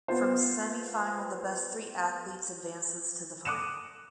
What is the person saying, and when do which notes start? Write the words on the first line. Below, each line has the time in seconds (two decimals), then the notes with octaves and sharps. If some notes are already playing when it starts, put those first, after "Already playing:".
From semifinal the best three athletes advances to the final.
0.08 B3 F4 C5
3.45 D6 D#6 F#6 C#7 D#7 E7